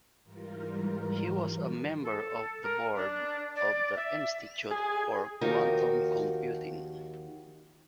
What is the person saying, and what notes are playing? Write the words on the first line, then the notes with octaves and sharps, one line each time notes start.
He was a member of the board of the Institute for Quantum Computing.
G#2 E3 G3 F4 A#4
A4
A#4
D4
D5
E5
G#4
D#2 F3 D#4 F#4 G4 A#4